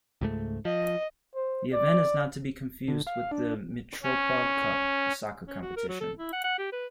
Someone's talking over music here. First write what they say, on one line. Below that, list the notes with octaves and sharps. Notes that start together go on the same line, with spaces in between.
The event is not to be confused with the Mitropa Cup, a soccer competition.
C#2 G#2 A3
F3 D#5
C5
D5
D3
F5
D4
C#4
C#4
F#4
A#4
F#3
A4
E4
F#5
F#5
G4
B4